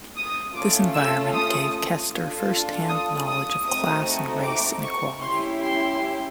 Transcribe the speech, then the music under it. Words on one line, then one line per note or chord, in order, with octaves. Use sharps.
This environment gave Kester first hand knowledge of class and race inequality.
D#6
A3 C#4 F4 A4 D6
E6
D#6
D4 F4 A4
D#6
D#6
A3 C4 D#4 F#4 D#6
D6
C#6
C#4 E4 G4 C6
C6